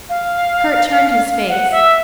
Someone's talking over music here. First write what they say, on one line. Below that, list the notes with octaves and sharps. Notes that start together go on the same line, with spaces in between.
Kurt turned his face.
F5
F#5
E5